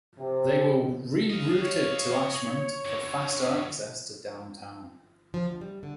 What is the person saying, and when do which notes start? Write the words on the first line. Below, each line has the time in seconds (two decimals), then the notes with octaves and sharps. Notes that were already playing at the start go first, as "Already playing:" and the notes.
They were rerouted to Ashmont for faster access to downtown.
0.19 C3
1.30 D#5 F5
1.61 C#5
2.85 F#2 D3
5.34 F3
5.46 D2
5.61 G3
5.83 D3